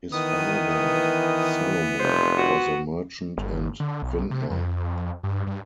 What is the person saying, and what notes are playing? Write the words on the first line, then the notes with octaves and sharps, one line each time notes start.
His father, Salomon, was a merchant and vintner.
D#3 E3 B3 D#6
F1 C5
F#4
G1
D3
B1
C3
F2
G2
G2